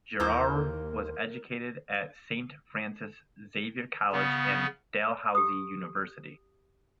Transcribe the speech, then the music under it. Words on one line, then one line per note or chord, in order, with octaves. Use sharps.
Girroir was educated at Saint Francis Xavier College and Dalhousie University.
D#2 E3 A#3 A#4 C5 A#5 D6 E6
C#3 B3
G4 D#6